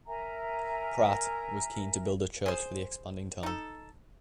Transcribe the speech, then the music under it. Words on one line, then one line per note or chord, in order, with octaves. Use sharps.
Pratt, was keen to build a church for the expanding town.
A#4 E5 G#5 A#5
G#4 C5
D#4 A4